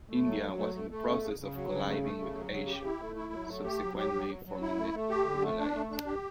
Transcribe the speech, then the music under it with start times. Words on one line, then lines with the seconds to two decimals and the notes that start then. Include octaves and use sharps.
India was in the process of colliding with Asia, subsequently forming the Himalayas.
0.10 A3
0.26 F#3
0.42 F#3
0.59 A3
0.75 A3
0.90 A3
1.06 C#3
1.22 C#3
1.39 C#3
1.55 F#3
1.70 C#3
1.87 A3
2.03 A3
2.19 C#3
2.35 F#3
2.51 C#3
2.67 G4
2.84 E4
3.01 A3
3.16 E4
3.33 F#3
3.48 A3
3.64 G4
3.81 F#3
3.97 G4
4.13 F#3
4.29 F#3
4.45 F#3
4.62 E4
4.77 A3
4.94 A3
5.10 G4
5.26 D3
5.42 A3
5.58 D4
5.74 A3
5.91 D4
6.06 G4